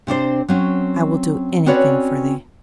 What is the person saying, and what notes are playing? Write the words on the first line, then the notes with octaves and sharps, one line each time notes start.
I will do anything for thee.'
C3 C4 D4 C5
F#3 C4 C#4
C4 C#4 F#4 B4 C#5 D5